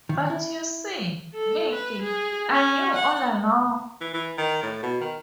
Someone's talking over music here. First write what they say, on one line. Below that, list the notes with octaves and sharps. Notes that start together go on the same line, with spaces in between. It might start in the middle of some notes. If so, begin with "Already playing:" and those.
But you see, Niki, I knew all along.
D#3
E4
A4
B4
G#4
C#4
F#5
E3
E3
D#3
A2
B2
D#3